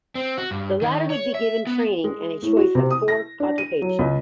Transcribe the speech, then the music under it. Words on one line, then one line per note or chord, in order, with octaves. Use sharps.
The latter would be given training and a choice of four occupations.
C4
F#4
G2
D#3
C#5
E5
B3
G#3
A2
F#4
C3
D#6
A#6
D4
D#7
F#3
C#2